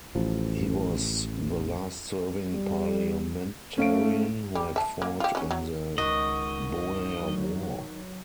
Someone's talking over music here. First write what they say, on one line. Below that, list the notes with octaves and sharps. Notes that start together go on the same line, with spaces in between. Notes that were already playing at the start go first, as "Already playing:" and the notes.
He was the last serving parliamentarian who had fought in the Boer War.
A1 F3
G3
A3 C#4 F5 D7
G3
E5 A5
A#3
F4 G4
F#3 C#4
F#3
C#2 D#3 F#4 D#5
F#3